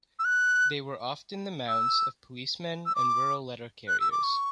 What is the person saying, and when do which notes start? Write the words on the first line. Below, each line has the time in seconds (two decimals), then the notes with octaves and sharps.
They were often the mounts of policemen and rural letter carriers.
0.19 E6
0.25 F#6
1.68 E6
2.86 E6
2.95 D6
3.88 F#6
4.00 E6
4.12 D6
4.23 C#6